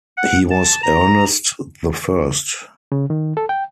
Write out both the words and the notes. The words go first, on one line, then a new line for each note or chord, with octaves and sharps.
He was Ernest the First.
F#5
A5
A#5
C#3
D#3
A4
G5